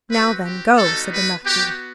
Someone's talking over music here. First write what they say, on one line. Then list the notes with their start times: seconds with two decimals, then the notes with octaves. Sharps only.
"Now, then, go," said the marquis.
0.10 C4 F#4 B4
0.44 G4
0.77 G3 B3 D#4 F#4 A4
1.11 B4
1.45 B3 F#4 G4